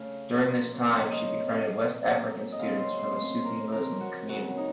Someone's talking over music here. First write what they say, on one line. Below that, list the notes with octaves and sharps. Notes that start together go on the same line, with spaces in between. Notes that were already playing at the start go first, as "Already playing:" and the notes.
During this time, she befriended West African students from a Sufi Muslim community.
Already playing: C#3 A3 C#4 F5
C#3 F3 A#3 C#4
C3 F3 A#3 C#4 F5
D#5
C#5
D#5
A#2 F3 C4 F5
A2 F#3 A#3 C#4
D#5
C#3 F#3 C4 F5
C5
C5
A#2 A3 C#4 C5
A#4
C#3 F3 C4 A#4
F#4
C#3 F#3 A#3 F#4
F#4
D#4